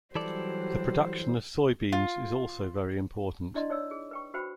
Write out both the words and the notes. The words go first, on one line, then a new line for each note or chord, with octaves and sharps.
The production of soybeans is also very important.
E3 F#3 G3 A4 C5 D5
F4
D4 E4 D5 D#5 C6
D#4 C#5 D5 E6
G#4
B4 G5 C#6
F#4 B4 C5 F#5 G5 B5